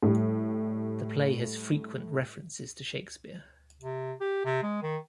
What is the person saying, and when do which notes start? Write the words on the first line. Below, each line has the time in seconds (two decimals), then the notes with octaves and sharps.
The play has frequent references to Shakespeare.
0.03 A2 G3
3.81 C3
4.21 G4
4.45 C3
4.63 G#3
4.83 D#3